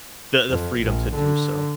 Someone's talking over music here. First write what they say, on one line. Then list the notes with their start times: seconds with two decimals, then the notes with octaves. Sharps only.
the the freedom to do so.
0.49 F2
0.80 A#1
1.15 D3